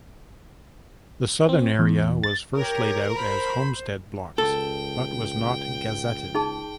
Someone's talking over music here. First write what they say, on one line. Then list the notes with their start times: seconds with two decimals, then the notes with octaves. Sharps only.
The southern area was first laid out as "homestead blocks" but was not gazetted.
1.49 C4
1.79 E2
2.24 A6
2.55 G4 A#4 C#5
3.16 C5 B5
4.38 C#2 A4 G5
6.35 D#4 G#4 A5